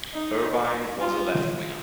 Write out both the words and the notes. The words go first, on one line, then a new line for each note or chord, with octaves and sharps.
Irvine was a left winger.
D#4
F4